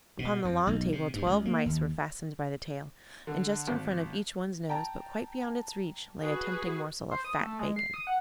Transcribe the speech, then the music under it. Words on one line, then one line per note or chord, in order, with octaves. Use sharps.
Upon the long table twelve mice were fastened by the tail, and just in front of each one's nose, but quite beyond its reach, lay a tempting morsel of fat bacon.
B2
F2
B1
C3
G2
C#2
A#3
D#2
D3
G#1
G5 A5 A#5
F#4 G#4 B4
C5
D#6
A3
G#3
C7
D#6
F#5